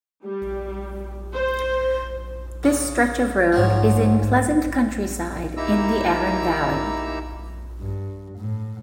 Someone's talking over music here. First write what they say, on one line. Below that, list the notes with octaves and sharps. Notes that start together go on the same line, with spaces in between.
This stretch of road is in pleasant countryside in the Aeron Valley.
G3
C5
C#3
G#2 F3 F#3
A#3 D#4 E4 G4 A#5 E6
G2
A2